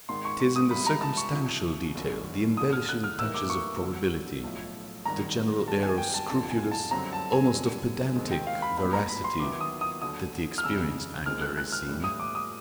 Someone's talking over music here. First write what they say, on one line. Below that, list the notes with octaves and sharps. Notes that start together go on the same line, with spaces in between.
It is in the circumstantial detail, the embellishing touches of probability, the general air of scrupulous--almost of pedantic--veracity, that the experienced angler is seen.
G#1 G#2 D#3 C6
C#6
C#6
D#6
G#2 E3 G3 B5
A#5
A5
C#6
C2 C3 F3
G1 F#2 D#3
E1 D#2 D3 D#6
F6
F#6
F6
A2 E3 G3 A#3 D#4 E6
D6
C#6
G2 D3 F#3
B1 A2 F3
G#1 G2 D#3 A#5
G#1 G2 D#3 G3 A5
G#5
G5
A5
F#1 F2 D3 F3 A5
G#5
A5
F#2 D3 G3 C4 A#5
A5
G#5
F#2 D3 G3
D#2 D#3 G#3 C4
G5
F5
B5
B1 A#2 G3 B3 B5
A#5
B5
C6
D#2 D#3 F#3 B3 E4 D6
D#6
D#6
D#2 D3 F#3 D#6
F6
F1 F2 C#3 E6
D#2 D#3 G#3 C4 F6
F#6
F#6
F6
A2 E3 G3
D#6
D6
D#6